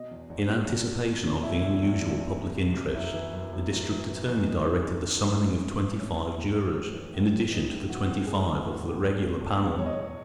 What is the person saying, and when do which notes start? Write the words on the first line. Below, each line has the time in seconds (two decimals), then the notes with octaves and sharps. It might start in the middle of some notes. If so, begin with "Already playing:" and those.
In anticipation of the unusual public interest the District Attorney directed the summoning of twenty-five jurors in addition to the twenty-five of the regular panel.
Already playing: B2 D#5
0.11 E2
0.30 E2
0.48 B2
0.67 E2
0.87 B2
1.06 B2
1.25 E2
1.43 B2 E4
1.63 B2
1.82 E2
2.01 E2
2.19 E2
2.38 E2
2.58 B2
2.77 B2
2.95 F#2 E4
3.14 E3
3.33 F#2
3.53 F#2
3.72 F#2
3.91 E3
4.09 E3
4.28 E3
4.48 F#2 D#4
4.66 E3
4.85 F#2
5.04 F#2
5.24 F#2
5.42 E3
5.61 F#2
5.80 E3
5.99 E3 C#4
6.18 E3
6.37 A2
6.56 A2
6.75 A2
6.94 E3
7.14 A2
7.32 E3
7.51 E3 D#4
7.70 A2
7.89 E3 F#4
8.09 A2
8.26 A2 G#4
8.45 A2
8.65 E3
8.85 A2
9.02 E2
9.22 B2
9.41 E2
9.60 B2
9.79 E2 C#5
9.86 D#5
9.93 E2 C#5